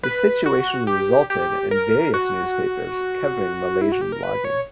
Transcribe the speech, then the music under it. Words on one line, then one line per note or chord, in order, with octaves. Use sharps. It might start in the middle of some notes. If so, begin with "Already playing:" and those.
The situation resulted in various newspapers covering Malaysian blogging.
B4
F#4
G4
G4
A#4
F#4
E4
F#4
G4
A#4
B4
C#5